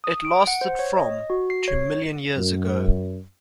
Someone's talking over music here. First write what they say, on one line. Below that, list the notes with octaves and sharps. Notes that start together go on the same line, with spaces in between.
It lasted from to million years ago.
D#6
D7
F#5
C5
C#5
D#5
F#4
C7
C#5
F#2